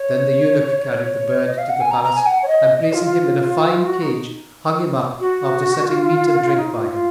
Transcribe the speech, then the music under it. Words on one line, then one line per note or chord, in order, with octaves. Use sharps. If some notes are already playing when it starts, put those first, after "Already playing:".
Then the eunuch carried the bird to the palace and placing him in a fine cage, hung him up after setting meat and drink by him.
Already playing: C#5
C#5
D#5
F5
F#5
G#5
A#5
A#5
G#5
F#5
C#5
D#5
D#5
F4
F4
F#4
D#4
F#4
F4
D#4
F4
F4